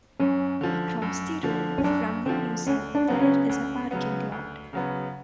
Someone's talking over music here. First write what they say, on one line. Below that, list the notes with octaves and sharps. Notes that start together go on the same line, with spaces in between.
Across the road from the museum there is a parking lot.
F#2 C#4
D3 F3
F#2
D3 F3
C#4
F#2 D4
D3 F3 C4
D2 C#4
D4
C#3 F#3 B3 C4
C#4
D2
C#3 F#3 B3
D2
C#3 F#3 B3